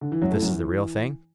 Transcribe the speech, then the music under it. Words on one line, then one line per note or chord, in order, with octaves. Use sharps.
"But this is the real thing?"
D3
E3
F#2 F#3
A2 A3
F#2 F#3
E3